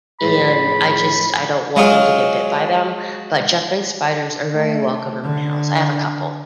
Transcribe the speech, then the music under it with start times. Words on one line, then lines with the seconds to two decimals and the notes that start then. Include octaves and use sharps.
and I just I don't want them to get bit by them. But jumping spiders are very welcome in my house, I have a couple.
0.21 A2 F3 G#4 B5
1.76 F#3 G#3 F4
4.54 A3
5.24 D3